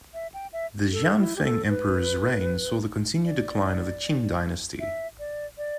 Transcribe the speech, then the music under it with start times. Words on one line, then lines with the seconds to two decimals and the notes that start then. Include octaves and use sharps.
The Xianfeng Emperor's reign saw the continued decline of the Qing dynasty.
0.14 E5
0.34 G5
0.53 E5
0.92 A4
1.18 E4
1.36 G4
1.44 A4
1.70 B4
3.25 D5
4.80 E5
5.19 D5
5.58 D5